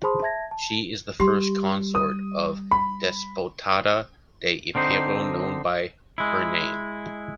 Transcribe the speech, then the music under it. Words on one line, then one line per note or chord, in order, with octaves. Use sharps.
She is the first consort of Despotado de Epiro known by her name.
G#4 C5 A5 B5 C6 D#6
E5 A5 G#6 A#6
A5
G3 G4 C6
D#6
B5
D3 C4 D#4 C5
G#3 E4